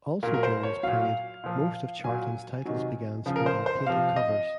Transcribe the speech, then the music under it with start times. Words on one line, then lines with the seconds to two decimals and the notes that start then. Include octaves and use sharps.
Also during this period, most of Charlton's titles began sporting painted covers.
0.23 A#2 A#4
0.27 F#3
0.34 A#4
0.43 C5
0.63 C#5
0.83 A#2 F#3 F5
1.44 A#2 F3
2.04 A#2 F#3 G#5
2.65 C3 D#3 F#3
3.26 C#3 F3
3.36 A#4
3.46 C5
3.66 C5
3.86 C3 F3 F5
4.16 D#5